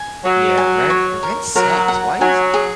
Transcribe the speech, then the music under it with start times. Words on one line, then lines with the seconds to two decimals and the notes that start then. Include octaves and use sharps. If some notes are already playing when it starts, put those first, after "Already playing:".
Yeah. Rent your rent sucks. Why is
Already playing: G#5
0.25 F#3 C#5
0.58 G#5
0.90 C#5
1.23 A#4
1.56 F#3 A#4
1.88 F#5
2.21 F#3 G#5
2.54 G#4